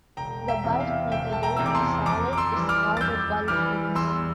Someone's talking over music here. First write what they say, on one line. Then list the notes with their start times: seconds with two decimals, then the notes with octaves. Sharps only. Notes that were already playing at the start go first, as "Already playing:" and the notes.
The bulk material in a solid is called the Bulk phase.
0.17 E1 G5 A#5
0.48 E5 G5
0.64 E2 C3
0.80 F5
1.12 E1 E5 G5
1.33 A5
1.43 G5 A#5
1.57 E2 C3 E6
1.66 D6
1.75 A5 C6
2.06 F2 A#5 D6
2.33 D6
2.37 C6 E6
2.53 E3 G3
2.69 D6 F6
2.97 A6
3.01 F2 E6 G6
3.48 E3 G3 D6 F6
3.95 E2 C6 E6